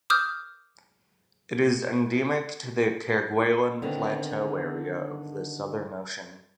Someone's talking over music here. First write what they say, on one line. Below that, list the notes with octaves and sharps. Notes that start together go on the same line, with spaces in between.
It is endemic to the Kerguelen Plateau area of the Southern Ocean.
D6 D#6 F6 G6
D3 D#3 B3 C4